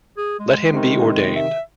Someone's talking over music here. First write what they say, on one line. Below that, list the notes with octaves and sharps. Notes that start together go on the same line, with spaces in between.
Let him be ordained.
G#4
G#3
C3 D#3
E5